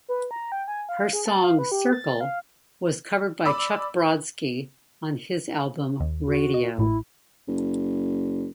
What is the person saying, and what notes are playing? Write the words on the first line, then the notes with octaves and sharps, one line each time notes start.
Her song "Circle" was covered by Chuck Brodsky on his album "Radio".
B4
A#5
G5
G#5
F5
G#4
A5
F5
B4
G4
A6
F5
D5 B5 D6 E6
D#2
F#4
D#5
A1 A2 E4
F#1